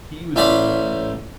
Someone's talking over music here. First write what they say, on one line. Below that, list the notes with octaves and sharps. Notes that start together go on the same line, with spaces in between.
he was the one
A1 C#4 C5 D5 B5